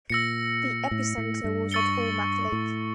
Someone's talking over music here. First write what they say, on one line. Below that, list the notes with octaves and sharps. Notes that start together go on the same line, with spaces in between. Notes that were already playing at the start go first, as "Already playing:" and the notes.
The epicenter was at Omak Lake.
A#2 E6 A#6 C#7
A2
A2
G2
C#6 E6 A6 C#7 G7
A2